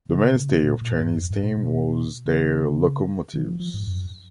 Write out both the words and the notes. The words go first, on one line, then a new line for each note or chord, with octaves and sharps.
The mainstay of Chinese steam was their locomotives.
C#3
B2
C#3
A#2
A#2
G#2
F2
G#2
A#2
B2
C#3
D#3
F3
F3
G#2
F#2